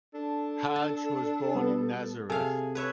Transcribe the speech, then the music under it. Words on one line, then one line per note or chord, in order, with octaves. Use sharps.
Haj was born in Nazareth.
D4 A4
A5
G3 B3
C3 G#4 A4 F5
B4 C#5 E5